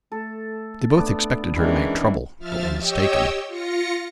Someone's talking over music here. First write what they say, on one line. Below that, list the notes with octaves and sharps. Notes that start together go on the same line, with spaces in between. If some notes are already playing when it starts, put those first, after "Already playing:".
They both expected her to make trouble but were mistaken.
A3 A4
A3 B3 D4
D#3 E3 G#3 C#4 D4 E4
F3 E5 F6 A6
G4 C#5 D#5 G5 E6
F4 A#6 C#7